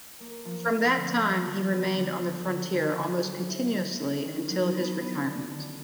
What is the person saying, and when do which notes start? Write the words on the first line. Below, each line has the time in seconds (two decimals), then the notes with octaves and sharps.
From that time he remained on the frontier almost continuously until his retirement.
0.20 A#3
0.45 F3
0.71 F3
0.96 D3
1.21 D3
1.48 F3
1.73 B3
1.97 D3
2.23 D3
2.48 D3
2.74 D3
2.98 D3
3.24 F#3
3.49 E4
3.75 E4
4.00 E4
4.25 D#3
4.50 F#3
4.76 B3
5.01 B3
5.26 D3
5.51 D3